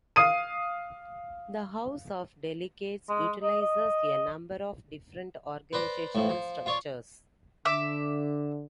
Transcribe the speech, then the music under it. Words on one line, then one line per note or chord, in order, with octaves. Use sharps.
The House of Delegates utilizes a number of different organizational structures.
F5 D#6 D#7
G#3
D#5
D#5
B4 C5 D5 A#5
A2 F3
F3
F4 C#5 D5
D3 E5 D6